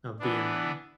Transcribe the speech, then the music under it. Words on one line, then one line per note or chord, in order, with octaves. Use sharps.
of being there.
E3 B3 D4